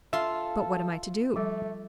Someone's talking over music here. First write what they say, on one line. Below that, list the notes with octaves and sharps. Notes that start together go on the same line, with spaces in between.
"But what am I to do?"
F4 A4 E5 C6
F3 G3 A3